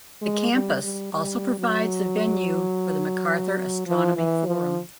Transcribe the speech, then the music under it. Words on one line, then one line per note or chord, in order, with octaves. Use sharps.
The campus also provides the venue for the Macarthur Astronomy Forum.
G#3
G3
G3
G3
F#3
F3
E3
F3